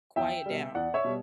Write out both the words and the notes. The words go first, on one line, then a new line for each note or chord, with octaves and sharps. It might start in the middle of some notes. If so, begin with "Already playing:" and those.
Quiet down.
E2 E5 G5
B2 G3
E2 D5 F#5
C#5 E5
B2 G3